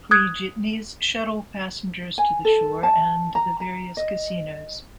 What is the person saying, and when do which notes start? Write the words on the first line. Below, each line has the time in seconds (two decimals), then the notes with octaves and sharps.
Free jitneys shuttle passengers to the shore and the various casinos.
0.11 D#6 F#6 G#6
2.18 G#5
2.45 A4
2.83 A5
3.35 A#5
3.60 A#5
3.97 D#5